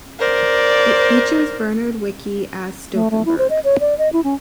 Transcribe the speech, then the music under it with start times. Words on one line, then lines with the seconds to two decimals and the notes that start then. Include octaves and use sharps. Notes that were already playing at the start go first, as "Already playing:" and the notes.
It features Bernhard Wicki as Stauffenberg.
0.20 A#4 C5 D5
2.94 A3
3.11 A3
3.25 E4
3.38 C5
3.50 D#5
3.64 C#5
3.80 D5
3.98 D#5
4.13 E4
4.24 C#4